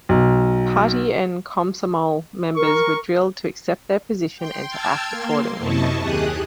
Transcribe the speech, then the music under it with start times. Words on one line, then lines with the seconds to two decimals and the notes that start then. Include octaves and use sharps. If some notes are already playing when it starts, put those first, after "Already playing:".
Party and Komsomol members were drilled to accept that position, and to act accordingly.
0.09 B1
2.56 A#4 C#6
4.36 G5 C6
4.69 G5 A5 E6 F6 G#6 A6
5.09 A#3 C6
5.59 F#2 C3 E4 D#5 A5 C#6
5.99 D#2 G4 G#4 D#6 F#6